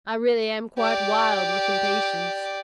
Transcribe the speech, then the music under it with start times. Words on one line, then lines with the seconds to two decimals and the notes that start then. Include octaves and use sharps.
I really am quite wild with impatience.
0.79 G4 D5